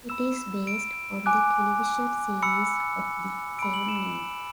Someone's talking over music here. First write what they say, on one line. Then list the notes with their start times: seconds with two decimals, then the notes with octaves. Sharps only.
It is based on the television series of the same name.
0.09 B5 E6 E7
0.67 D7
1.26 G#5 D6 F#6
2.43 B5 E6 C#7
3.58 E6 D7
3.62 B5
3.74 F#7
3.88 E7